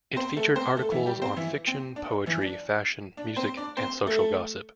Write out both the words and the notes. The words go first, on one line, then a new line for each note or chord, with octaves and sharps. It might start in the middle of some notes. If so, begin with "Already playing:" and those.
It featured articles on fiction, poetry, fashion, music, and social gossip.
C4 C5
A3 A4
C4 C5
A3 A4
E3 E4
G3 G4
C4 C5
E3 E4
C4
D4
E3 E4
D4
D4
C4 C5
D4 D5
C4 C5
A3 A4